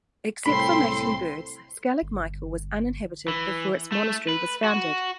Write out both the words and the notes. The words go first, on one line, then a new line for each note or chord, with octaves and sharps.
Except for mating birds, Skellig Michael was uninhabited before its monastery was founded.
C2 A2 C4 A4 B5 C6
G1
E3
A3
B4
F#4